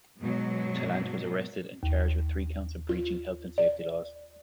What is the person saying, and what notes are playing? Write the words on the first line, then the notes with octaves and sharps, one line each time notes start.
Tallant was arrested and charged with three counts of breaching health and safety laws.
G#2 B2 F#3
D#2
F4
D5